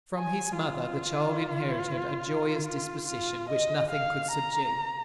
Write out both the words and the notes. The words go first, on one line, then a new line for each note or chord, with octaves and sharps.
From his mother the child inherited a joyous disposition which nothing could subdue.
G#5
F4
F4
F4
D#5
F5
A#5